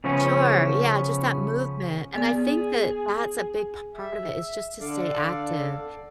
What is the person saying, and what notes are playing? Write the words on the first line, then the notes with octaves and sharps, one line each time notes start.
Sure. Yeah, just that movement, and I think that that's a big part of it is just to stay active,
C#3 F3 A3 B3 C#4
B3 G#4 D5
E5
D3 D4 A4 D5 F5